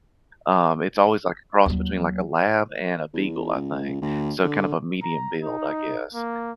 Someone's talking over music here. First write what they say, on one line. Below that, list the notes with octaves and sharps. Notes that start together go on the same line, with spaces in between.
Um, it's always like a cross between, like, a lab and a beagle, I think. So kind of a medium build, I guess.
D#2 F#3
E2
C#2
D2
D3
A#5
D#4
A#3